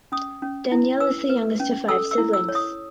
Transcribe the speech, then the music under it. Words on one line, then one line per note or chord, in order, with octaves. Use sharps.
Danielle is the youngest of five siblings.
C#4 D#6
C#4
E4
B4 E6
B4
C#4
A4 E6
E6
E4
E6
C#5
D#6